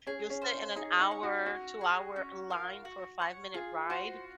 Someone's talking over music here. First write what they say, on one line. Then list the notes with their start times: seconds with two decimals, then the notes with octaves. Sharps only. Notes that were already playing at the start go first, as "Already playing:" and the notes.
you'll sit in an hour, two-hour line for a five-minute ride.
0.07 C#4 G#4
0.30 C#4
0.42 C5 F5
0.53 C#4
0.76 D#4 G#4
1.00 D#4
1.11 C#5 F#5
1.23 F#4
1.46 C#4 F#4
1.81 G#4 D#5
2.16 C#4
2.50 F4 A#4 F5
2.85 F#4
3.20 C#5 F#5
3.54 F4 G#4
3.90 F#4 C5 F#5